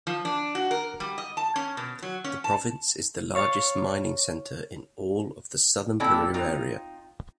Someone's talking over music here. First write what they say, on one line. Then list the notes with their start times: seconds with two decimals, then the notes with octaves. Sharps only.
The province is the largest mining center in all of the southern Peru area.
0.07 F3
0.25 D4
0.55 F#4
0.71 A#4
1.00 G3
1.18 D#5
1.37 A5
1.56 C#4
1.77 B2
2.02 F#3
2.24 C#4
2.44 A5
3.35 C#5 F5 A6
6.00 A#2 D3 C4 E4 A4
6.34 C4 D#4 F4